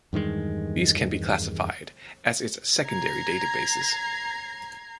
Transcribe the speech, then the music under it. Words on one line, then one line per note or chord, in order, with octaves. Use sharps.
These can be classified as its secondary databases.
E2 G2 D#3 G#3
A#5 G#6 C7